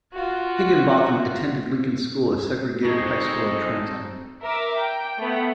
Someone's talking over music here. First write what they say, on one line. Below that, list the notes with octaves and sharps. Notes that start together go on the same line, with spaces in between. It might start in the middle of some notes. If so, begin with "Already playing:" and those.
Higginbotham attended Lincoln School, a segregated high school in Trenton.
F4 F#4
G#3 C4 D#4 A4 C#6
A#4 E5 D6
G5
A3 B3